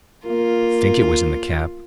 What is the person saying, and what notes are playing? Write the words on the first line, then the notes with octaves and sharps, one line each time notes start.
I think it was in the cap.
A#3 F4